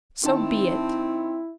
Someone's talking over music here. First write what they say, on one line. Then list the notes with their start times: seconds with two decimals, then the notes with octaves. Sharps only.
So be it!
0.24 D#3 C4 E4 A5